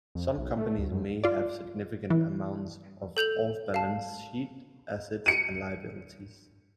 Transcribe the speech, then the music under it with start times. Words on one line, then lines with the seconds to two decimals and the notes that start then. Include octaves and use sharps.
Some companies may have significant amounts of off-balance sheet assets and liabilities.
0.15 F2
0.38 B1
0.57 A3
0.78 D2
0.92 F#2
1.24 F4 D5
2.10 E3
3.17 A4 G6 F7 F#7
3.74 F5 A5
5.26 C#7 D#7